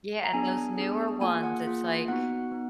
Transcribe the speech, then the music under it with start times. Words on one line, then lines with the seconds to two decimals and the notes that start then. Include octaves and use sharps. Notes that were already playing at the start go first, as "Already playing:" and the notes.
Yeah, and those newer ones, it's like
0.24 A#5
0.34 B3 D4 G#4 G#5
0.77 B3 D4 G#4
1.21 A#3 F4 G#4 G#5
1.43 F#5
1.65 A#3 F4 G#4
2.08 B3 D#4 F#4 F#5
2.52 B3 D#4